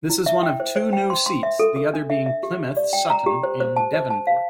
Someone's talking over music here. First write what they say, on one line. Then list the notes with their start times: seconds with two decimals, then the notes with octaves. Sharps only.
This is one of two new seats, the other being Plymouth Sutton and Devonport.
0.10 E4
0.26 E5
0.43 G5
0.60 C5
0.76 C5
0.93 G5
1.10 C6
1.26 C6
1.43 E5
1.59 A4
1.76 A4
1.94 D4
2.10 E5
2.26 E5
2.43 G4
2.59 G4
2.77 D5
2.93 G5
3.10 A#5
3.26 G4
3.43 C5
3.60 C5
3.77 A5
3.94 C5
4.10 A5
4.27 F5